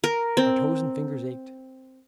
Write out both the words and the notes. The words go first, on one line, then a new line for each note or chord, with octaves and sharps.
Our toes and fingers ached.
A#4
C4